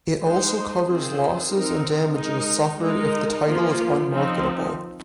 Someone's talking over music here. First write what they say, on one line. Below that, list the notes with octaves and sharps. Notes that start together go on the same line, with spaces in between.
It also covers losses and damages suffered if the title is unmarketable.
G#3 D#4 C5
D#3 C4 F4 G#4 C5
C4 D#4 A#4
G#3 D#4 A#4
G#3 D#4 A#4
F3 A#3 F4
F3 C4 D#4